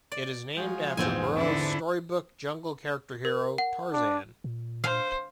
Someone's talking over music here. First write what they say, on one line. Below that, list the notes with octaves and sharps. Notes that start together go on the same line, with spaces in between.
It is named after Burroughs' storybook jungle character hero, Tarzan.
D5
F3 G#3 F#4 G6
A#1 E2 G#2 C4 G#5
D3 B3 E4 D5 A5
A#4
F#5
D4
A#2
C5 F5